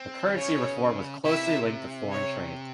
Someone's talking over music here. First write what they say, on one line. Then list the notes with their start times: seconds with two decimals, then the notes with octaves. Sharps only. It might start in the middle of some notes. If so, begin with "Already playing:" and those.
The currency reform was closely linked to foreign trade.
Already playing: C4
0.27 D#3
0.37 C#3 C#5
1.25 C3 E4 E5
2.12 C#5